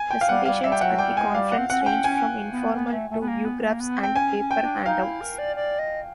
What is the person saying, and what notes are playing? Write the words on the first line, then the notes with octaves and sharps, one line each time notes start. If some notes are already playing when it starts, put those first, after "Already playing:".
Presentations at the conference range from informal to viewgraphs and paper handouts.
Already playing: G#5
G5
F5
G3 F#5
G3 F5
G3 E5
G5
F#3 F#5
G3 G5
G#3 G#5
G3 F5
F#5
C4
C4 F#5
C#4
G5
C#4 G#5
B3
B3
A3
A3
B3
A#3
B3
A#3
B3
C4
G5
C#4 G#5
C#4
G5
D4
D#4 F5
E4
A#4
D5
D5
D#5